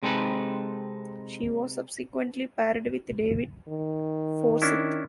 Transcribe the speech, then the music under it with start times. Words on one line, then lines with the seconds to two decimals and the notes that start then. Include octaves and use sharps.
She was subsequently paired with David Forsyth.
0.03 C3 G#3 C4 D#4 A4 B4
3.68 D#3
4.62 C#4 D4 E4